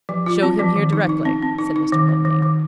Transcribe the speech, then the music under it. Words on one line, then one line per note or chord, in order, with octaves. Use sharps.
"Show him here directly," said Mr. Redmain.
F3
F4
C4
F3
D#3
D#4
D#4
C4
C4
D#4
D#4
D#3
D#3
D#3
D#3